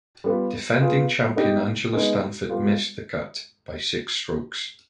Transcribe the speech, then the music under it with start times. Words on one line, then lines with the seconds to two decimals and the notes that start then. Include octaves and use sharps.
Defending champion Angela Stanford missed the cut by six strokes.
0.24 G3 B3 F4
0.81 B3 F4 G#4 B4
1.36 B3 D#4 G4 B4
1.93 G#3 B3 D#4
2.49 G3 B3 F4